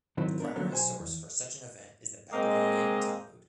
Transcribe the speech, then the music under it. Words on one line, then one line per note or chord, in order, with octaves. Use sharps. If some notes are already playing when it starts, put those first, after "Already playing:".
The primary source for such an event is the Babylonian Talmud.
G#2 D#3 F#3 C4 E4 F4
B3 D4 A#4
D3 F3 F#3 A#3 B3 C#4
B1 C5 G5 G#5
E2
G#3 A#3 C4 D#5